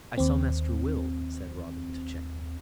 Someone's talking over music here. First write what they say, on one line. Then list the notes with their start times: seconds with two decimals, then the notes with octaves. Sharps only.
"I saw Master Will," said Robin, to check him.
0.18 D#2 C4